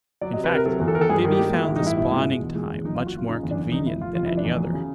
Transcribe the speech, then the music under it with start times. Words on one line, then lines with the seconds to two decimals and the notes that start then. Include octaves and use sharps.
In fact, Gibbey found the spawning time much more convenient than any other.
0.21 F#3 D5
0.33 D#5
0.36 C3
0.44 B4
0.51 C3 A#4
0.66 F#3 A4
0.80 E2
0.88 A4
0.95 D#3 A#4
1.01 A4
1.10 G2 G#4
1.25 D#3
1.32 G4
1.39 G#3
1.54 G#3 F#4
1.64 E4
1.68 A1
1.76 D#4
1.83 G2 E4
1.97 B2 E4
2.11 G#3
2.26 B2
2.41 E1
2.55 G#3
2.70 E2
2.84 F#1 D#4
2.96 F4
2.99 F#1
3.07 F#4
3.14 F#1 F4
3.28 C#3 D#4
3.43 E2
3.51 D4
3.57 F#1
3.72 F1 D#4
3.87 F1 E4
4.01 F1 F4
4.15 F1 F4
4.26 E4
4.31 F1
4.38 D4
4.44 E2
4.60 F#3
4.74 C#3